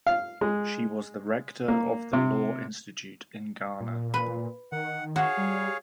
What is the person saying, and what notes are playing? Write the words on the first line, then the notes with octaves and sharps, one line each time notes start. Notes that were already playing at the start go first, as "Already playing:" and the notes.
She was the rector of the Law Institute in Ghana.
F5
G#3
A#3
C3
A#2
B4
D#3 F#5
F#4 G#4 C#5 F5
G3